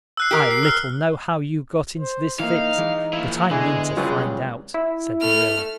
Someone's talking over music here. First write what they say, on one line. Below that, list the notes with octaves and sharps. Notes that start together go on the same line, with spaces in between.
"I little know how you got into this fix, but I mean to find out," said Marilla.
E6 F#6 C7
G4 A#4
C7
E6 F6 G7
C5
E3 A#3 D#4 F5
E3 G#3
A#2 F3 E4
E2 D3 E3 G#3 G#5
C#2 F#3 G3 F4 G#4 B4 C#5
E4
A3 F6